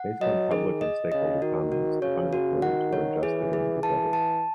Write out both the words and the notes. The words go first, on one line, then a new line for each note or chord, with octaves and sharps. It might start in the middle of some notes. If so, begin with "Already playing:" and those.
Based on public and stakeholder comments, the final codes were adjusted and gazetted.
Already playing: F#5
F#3 D#5
D#3 G#4
D#5
C#3 D#5
D#3 F#4
F#4
C#3 C#5
F#4
D#3 F#5
C#5
E3 G#4
G#4
E3 A5
A5